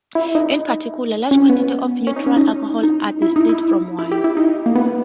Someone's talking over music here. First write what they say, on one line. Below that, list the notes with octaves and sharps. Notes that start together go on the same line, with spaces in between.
In particular, large quantities of neutral alcohol are distilled from wine.
E4
D#4
C#4
B3
C#4
D#4
C#4
D#4
D#4
E4
D#4
E4
E4
G4
E4
D#4
A#3
B3